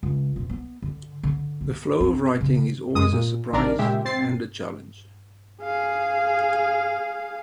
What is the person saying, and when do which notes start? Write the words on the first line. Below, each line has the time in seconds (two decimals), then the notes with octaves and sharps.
The flow of writing is always a surprise and a challenge.
0.03 C#2
0.36 E1
0.50 B3
0.82 D3
1.23 D3
1.61 B3
2.00 C4
2.41 C#3
2.95 F#2 G#3 D#6
3.12 A#2
3.52 A1 D#3 D4 A#4 D5
3.79 A#2 C#3 G#3 G4 E5
4.05 C4 A6 C7
5.62 G#4 F5